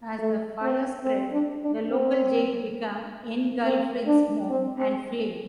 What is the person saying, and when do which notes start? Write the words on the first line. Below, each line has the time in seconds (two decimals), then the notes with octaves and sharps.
As the fire spread, the local jail became engulfed in smoke and flame.
0.19 A3
0.61 C4
1.04 C4
1.32 D4
1.62 D4
1.90 C4
3.63 C4
4.07 D4
4.49 C4
4.78 C4